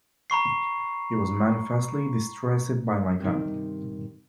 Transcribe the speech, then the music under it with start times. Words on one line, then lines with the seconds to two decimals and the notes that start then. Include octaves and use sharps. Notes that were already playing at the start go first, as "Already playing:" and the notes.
He was manifestly distressed by my coming.
0.30 A#5 B5 C#6 C7
3.20 G2 C3 D#3